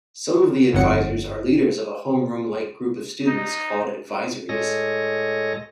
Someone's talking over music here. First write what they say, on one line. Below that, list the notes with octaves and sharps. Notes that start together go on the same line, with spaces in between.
Some of the advisors are leaders of a homeroom-like group of students, called advisories.
G1 F2 G#2 F#3 F#5 C#7
D#4
A2 G#3 A4 C#5 D#5 A#6